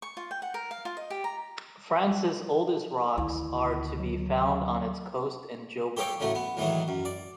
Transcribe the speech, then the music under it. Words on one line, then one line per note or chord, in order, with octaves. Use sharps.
France's oldest rocks are to be found on its coast in Jobourg.
C#6
F4
G5
F#5
A#4
F5
F4
D#5
G4
A#5
D2 D#3 E4
F#3
G4 A4 C#5 F5 G5
A2 C#3 F#3 A3
B3
A2 D#3 E3 F#3 G#3
F#2
D5